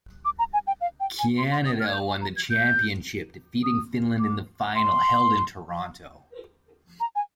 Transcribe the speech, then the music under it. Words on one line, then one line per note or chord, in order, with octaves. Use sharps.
Canada won the championship, defeating Finland in the final, held in Toronto.
D6
A#5
G#5
G5
F5
G5
G#5
C6
C6
D#6
F6
G#6
G6
G#5
A#5
G#6
G6
D#6
D6
C6
A#5
G#5